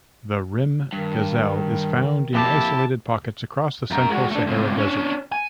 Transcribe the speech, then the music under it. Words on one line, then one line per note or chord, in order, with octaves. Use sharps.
The rhim gazelle is found in isolated pockets across the central Sahara Desert.
G2 D#3
F2 A#3 E4 G4 A5
F#2 A#4
G#3 F#4
A3 D4
C#2 C3
C#4 D4
G#5